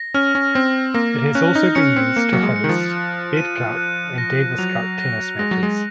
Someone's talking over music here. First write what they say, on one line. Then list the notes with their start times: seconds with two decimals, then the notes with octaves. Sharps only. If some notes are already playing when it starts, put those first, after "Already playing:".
It has also been used to host Fed Cup and Davis Cup tennis matches.
Already playing: A#6
0.14 C#4 F6
0.35 C#4
0.54 C4 A#6
0.94 A#3 A#6
1.35 C#4 F#6
1.55 D#4
1.75 C#4 C#7
1.96 C4
2.16 A#3 C#7
2.33 F#3
2.43 G#3
2.56 C#7
2.64 D#3
2.69 F3
2.97 F#6
3.37 D#7
3.77 F#6
4.18 A#6
4.58 F#3 F7
4.99 A#6
5.39 G#3 A#6
5.51 F#3
5.63 G#3